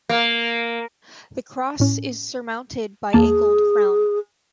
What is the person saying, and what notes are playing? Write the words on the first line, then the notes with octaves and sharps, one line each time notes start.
The cross is surmounted by a gold crown.
A#3
A2 C#4
E2 A#3 G#4 A5